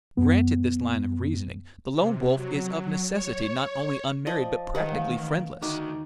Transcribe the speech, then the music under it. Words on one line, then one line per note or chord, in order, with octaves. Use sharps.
Granted this line of reasoning, the Lone Wolf is of necessity not only unmarried but practically friendless.
F#2 B3
C3
F#3
C#5
F3 D5 D#5
D#3 G4 B4 D#5 F#5
E3 A3 F5
D2 D#3 F#4 D6